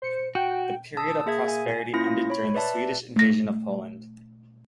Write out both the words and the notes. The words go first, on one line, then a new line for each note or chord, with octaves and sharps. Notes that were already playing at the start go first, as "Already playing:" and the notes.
The period of prosperity ended during the Swedish invasion of Poland.
C5 C#7
F#4 G5
A5 D#6 E6
A#3 G#4 E5 G#6
G#5
A#3 C#4 E4 F4 A#6
C#5 B5
B4 D5 E5 A5
A3 A#6